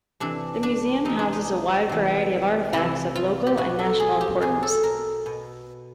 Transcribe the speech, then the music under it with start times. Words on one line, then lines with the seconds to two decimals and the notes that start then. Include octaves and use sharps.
The Museum houses a wide variety of artifacts of local and national importance.
0.20 C3 E3 D4
0.63 D4
1.05 C3 E3 D#4
1.19 D4
1.33 D#4
1.89 C3 E3
2.73 C3 E3 E4
3.16 F4
3.47 G4
3.57 B2 F#4
3.79 A4
4.00 G#4
4.21 G4
4.41 B2 G#4
4.63 A4
4.84 A#4
5.26 B2